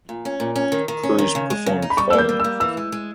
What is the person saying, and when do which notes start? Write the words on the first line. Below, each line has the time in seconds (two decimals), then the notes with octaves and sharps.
Cruise performed Falling.
0.09 A#2
0.25 C#4
0.40 A#2
0.56 C#4
0.72 D#3
0.88 D#3
1.03 C#4
1.19 D#3
1.35 C#3
1.50 G#3
1.66 C#3
1.82 D#4
1.90 B5
1.97 G3 C#6
2.10 A#3 E6
2.18 G6
2.29 G3
2.40 E6
2.44 A#3
2.60 E3 E6
2.77 G#3
2.92 G#3